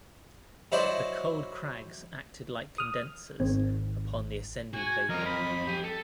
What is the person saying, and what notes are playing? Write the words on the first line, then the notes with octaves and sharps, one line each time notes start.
The cold crags acted like condensers upon the ascending vapour.
F#3 E4 F#4 C5 D5 D#5
D#6 F6
G#1 C4
F#4 G#5
F2 A#4 D#5
B5
G4 G#5
A4